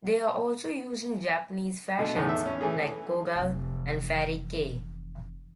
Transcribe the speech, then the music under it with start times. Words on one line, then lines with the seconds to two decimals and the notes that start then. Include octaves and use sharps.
They are also used in Japanese fashions like Kogal and Fairy Kei.
1.99 B2 D3 A3
2.16 E2 A2 D#3 E3
2.29 E5
2.46 C#4
2.61 E3 A3 G#4
3.35 F1 E3